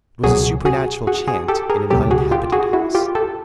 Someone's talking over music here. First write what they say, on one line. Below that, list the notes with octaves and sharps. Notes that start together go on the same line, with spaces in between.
It was a supernatural chant in an uninhabited house.
C#2 B2 F#3 F#4 G#4
F#4 G#4
F#4 G#4
F#4 G#4
G4 A4
G#4 A#4
C#2 B2 F#3 G4 A4
F#4 G#4
F4 G4
F#4 G#4
E4 F#4
F4 G4
G4 A4